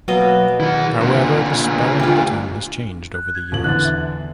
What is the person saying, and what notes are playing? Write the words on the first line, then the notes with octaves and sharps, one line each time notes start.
However, the spelling of the town has changed over the years.
B2 F#3 A#3 D#5
D#3 E4 F#5
D2 A#2 D4
F4 G4
F#6
G#6
D#1 F3 F#7
E2 D3 E3 F#6 A6
E5